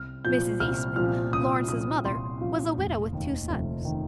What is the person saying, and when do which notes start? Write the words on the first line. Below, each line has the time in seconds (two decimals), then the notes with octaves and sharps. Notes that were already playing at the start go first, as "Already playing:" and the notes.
Mrs. Eastman, Lawrence's mother, was a widow with two sons.
Already playing: C2 F6
0.24 A#2 F3 G6
0.60 C2 F6
0.96 A#2 F3 F6
1.33 C2 D#6
1.68 A#2 F3 D#6
2.05 C2 C6
2.40 A#2 F3 F5
2.77 F1
3.12 D#2 D#3
3.50 F1
3.85 D#3